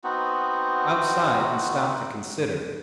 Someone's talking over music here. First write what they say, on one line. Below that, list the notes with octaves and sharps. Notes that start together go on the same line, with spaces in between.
Outside, he stopped to consider.
B3 C4 D#4 F#4